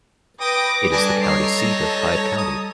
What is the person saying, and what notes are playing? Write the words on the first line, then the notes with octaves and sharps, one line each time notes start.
It is the county seat of Hyde County.
B4 G5 D6 D#6 A#6
G3 D4 A4 G#5
D#4 C#5 C7
A5 A#6
D#6